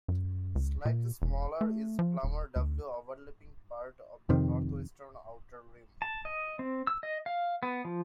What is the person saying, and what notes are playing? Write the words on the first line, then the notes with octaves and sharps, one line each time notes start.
Slightly smaller is Plummer W overlapping part of the northwestern outer rim.
F#2
C#2
A#2
E1
A3
F3
D#1
D2
F2 C3 D#3
A5
D#5
C4
E6
D#5
F5
B3
F3